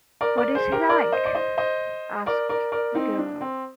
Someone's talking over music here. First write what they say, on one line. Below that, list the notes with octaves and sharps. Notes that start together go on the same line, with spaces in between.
What is he like? asked the girl.
A#4 D5
A#4 D5
G#4 C5
G4 A#4
A#4 D5
C5 D#5
D5
C5 D#5
C5 D#5
A#4 D5
A#4 D5
A#4 D5
C4 D#4
D4
C4